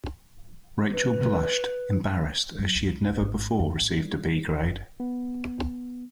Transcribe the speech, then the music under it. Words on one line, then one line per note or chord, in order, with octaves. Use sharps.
Rachel blushed, embarrassed, as she had never before received a B grade.
B4
F#3
C#2
G#1
F2
A1
G3
F#1
B3